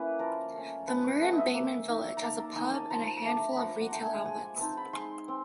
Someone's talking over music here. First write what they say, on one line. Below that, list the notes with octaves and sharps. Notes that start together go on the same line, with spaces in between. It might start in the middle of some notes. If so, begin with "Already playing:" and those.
The Murrumbateman village has a pub and a handful of retail outlets.
Already playing: A#3 C#4 E4 B4
F3 A#4
A3 C#4
F3 B4
C#5
A3 C#4 D#5
D#5
E5
A#3
D#4
A#5
A#3 A5
A#5
D#4 G#5
A5
F3 A#5
A5
A#5
A3 D4
B5
F3 A#5
F#5
A3 D4 G5
G#5
G#3 G#5
G#5
C4 D#4 A5
B5
G#3 C6
C4